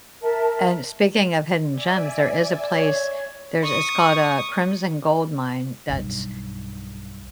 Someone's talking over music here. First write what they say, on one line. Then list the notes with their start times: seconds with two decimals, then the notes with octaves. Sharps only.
a a and speaking of hidden gems, there is a place, there's it's called, uh, Crimson Gold Mine that's
0.22 A#4 E5 A5
1.71 D5 E5 G#5
2.71 C#5
3.62 C#6 D#6
5.89 B1 G2